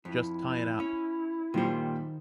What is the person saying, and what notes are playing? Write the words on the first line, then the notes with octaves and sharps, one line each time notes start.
Just tie it up!
F2 E4
C#4
A#2 D#3 G3 C5